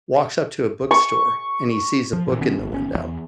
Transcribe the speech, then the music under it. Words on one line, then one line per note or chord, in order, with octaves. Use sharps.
walks up to a bookstore, and he sees a book in the window,
C#6
F3
A#2 D#3 E3
C3 D#3 B3 C#4
G1
G1 C#4
D1 E2